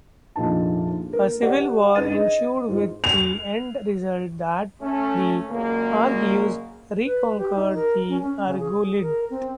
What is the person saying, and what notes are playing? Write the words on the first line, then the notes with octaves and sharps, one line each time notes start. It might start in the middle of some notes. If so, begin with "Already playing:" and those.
A civil war ensued, with the end result that the Argives re-conquered the Argolid.
F1 A#1 A#2 D#4 A5
A#4
G4 B4 D5 F#5
G2 C#4 D#4 B4 A6 D#7
G#4 D#5
G#2 F4
F7
A3 C#4
A#2 C#3 F#3 G#3 A#3
B4
G4
D#4
A#4
C#4
C#4
C#3
G#4
A#4
C4